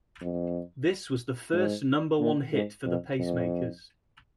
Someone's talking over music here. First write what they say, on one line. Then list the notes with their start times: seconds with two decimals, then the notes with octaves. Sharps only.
This was the first number one hit for the Pacemakers.
0.21 F2
1.53 G#2
2.20 A#2
2.53 G#2
2.86 F2
3.19 F2